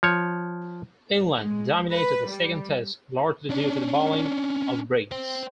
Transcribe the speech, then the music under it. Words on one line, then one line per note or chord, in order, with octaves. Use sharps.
England dominated the second Test, largely due to the bowling of Briggs.
F3 C#5
G#3
B4
G3
C#4 D4
C5 G5